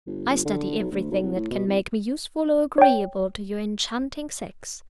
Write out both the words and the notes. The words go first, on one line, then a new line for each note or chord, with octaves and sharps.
I study everything that can make me useful or agreeable to your enchanting sex.
G1
G1
D3
B1
D2
B1
C2
A2
B2
C2
C#5 G5